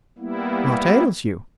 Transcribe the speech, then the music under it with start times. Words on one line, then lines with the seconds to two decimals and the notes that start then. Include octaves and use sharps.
'What ails you?
0.18 G3 A#3 B3 E4